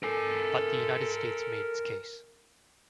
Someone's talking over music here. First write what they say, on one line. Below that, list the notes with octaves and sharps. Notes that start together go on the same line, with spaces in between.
But the United States made its case.
A4 A#4 G#5